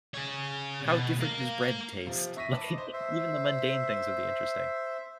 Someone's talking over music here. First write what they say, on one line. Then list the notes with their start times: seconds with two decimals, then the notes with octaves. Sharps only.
how different does bread taste? Like, even the mundane things would be interesting.
0.14 G#4 C#5
0.86 B2
1.21 A#4 F5
2.06 C3 F3
2.36 E5 C#6 A#6 B6 D#7
2.53 B4 A5 D6
2.74 C5 D#5
2.93 C5 E5